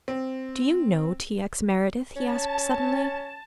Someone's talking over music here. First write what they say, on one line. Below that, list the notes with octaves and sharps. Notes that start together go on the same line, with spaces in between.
"Do you know T. X. Meredith?" he asked suddenly.
C4
C#4 A5